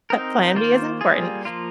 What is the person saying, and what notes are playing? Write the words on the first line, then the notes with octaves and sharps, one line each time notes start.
plan B is important,
C4 D#4 A#4
D#3 A#3 F4 C5
G3 A#3 F4 G#4
F3 A#3 F4